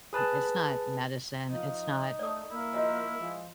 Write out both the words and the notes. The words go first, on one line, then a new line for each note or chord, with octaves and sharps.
it's not medicine, it's not
G#4 B4 A5
F3 D#4
A3 D5 D#6
A#3 E4
F3 F#4 D#5 A#5
F3 G#3